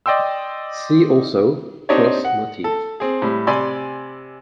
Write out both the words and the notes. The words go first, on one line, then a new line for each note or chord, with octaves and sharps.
See also: Cross motif.
D5 D#5 G5 C6 E6
C4 D4 D#4 G4 C#5
F#5
A4
C4 G#4
A2 G3
C3 D5 G#5 B5 C6 E6